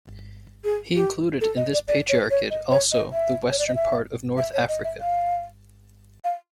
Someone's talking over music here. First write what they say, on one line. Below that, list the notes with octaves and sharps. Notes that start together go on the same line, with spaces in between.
He included in this patriarchate also the western part of North Africa.
G#4
G4
A4
D#5
D5
D5
C#5
C#5
D#5
C#5
D#5
E5
C#5
D5
D#5
E5
E5
C#5
D#5
E5
F5
F5